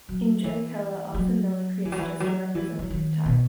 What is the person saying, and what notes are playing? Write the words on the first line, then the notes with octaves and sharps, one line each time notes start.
In Joe Keller, Arthur Miller creates just a representative type.
F#3
E3
F#3
E3
F#3
E3
F#3
E3
E3
D#3
B2